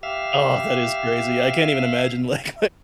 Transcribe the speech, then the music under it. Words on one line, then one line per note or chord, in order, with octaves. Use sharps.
Oh, that is crazy. I can't even imagine like,
G4 E5 F5